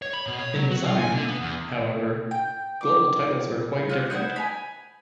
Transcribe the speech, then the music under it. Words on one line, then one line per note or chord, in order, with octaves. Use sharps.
In design, however, global titles are quite different.
C#5
B5
B2
C#5
F#3
F#4
F4
G#5
D3
B3
E2
G5
D6
F4 D5 F#6
D#4 E4 C5 F#5
G#5 A#5 B5